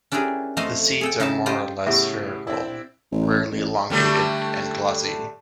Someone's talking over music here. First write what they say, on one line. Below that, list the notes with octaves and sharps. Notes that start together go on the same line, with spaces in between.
The seeds are more or less spherical, rarely elongated and glossy.
C#4 D4 E4 G4 G#4 A#4
F2 A3 C5 D#5 F5 C6
G#4 A4 G5
C#3 D#4 E4 E5 A5
F4 G4 C5 D#5
A2 C#3 B3 G4 E5
C4 D4 E4
A1
A1
D3 G3 A3